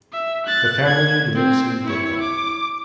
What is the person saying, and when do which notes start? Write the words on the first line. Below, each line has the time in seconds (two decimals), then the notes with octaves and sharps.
The family lives in Brooklyn.
0.13 E5
0.46 F#6 A6
0.86 G#6
1.35 C4
1.85 E4 C#5
2.21 D6